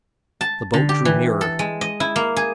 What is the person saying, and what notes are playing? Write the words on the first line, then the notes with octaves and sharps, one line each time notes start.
The boat drew nearer.
A5
D3
G4
E3
A4
G#3
D#5
E4
A#3
G#4